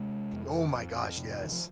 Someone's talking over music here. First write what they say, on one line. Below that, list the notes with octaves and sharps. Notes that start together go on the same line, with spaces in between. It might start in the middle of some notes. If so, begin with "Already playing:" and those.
Oh my gosh. Yes.
Already playing: C3 G#3
F2
F2
C3
D#3
F3